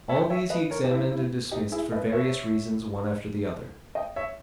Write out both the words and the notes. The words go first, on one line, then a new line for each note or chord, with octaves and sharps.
All these he examined and dismissed for various reasons one after the other.
C#5 E5
G5
C#5 E5
B4 D#5
A#4 C#5
G4
E4
E4
D#4 G4
E4 G#4
B4 D#5
C#5 E5
D#5 G5
C#5 E5